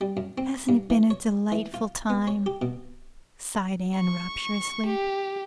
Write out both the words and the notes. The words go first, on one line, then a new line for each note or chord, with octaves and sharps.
"Hasn't it been a delightful time?" sighed Anne rapturously.
G3
F#2
C4
G2
E3
C#5
E3
F4
B3
C#5
G4
B2
C#6
G4